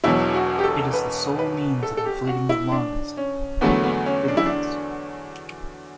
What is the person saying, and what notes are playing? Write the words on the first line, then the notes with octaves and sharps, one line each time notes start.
It is the sole means of inflating the lungs in amphibians.
E1 E2 B2 F#3 E4
F#4
G4
A4
B4
B4
A4
A4
G4
F#4
E4
D4
C#4
E2 D3 F#3 A3 B3
B3
C#4
D4
E4
D4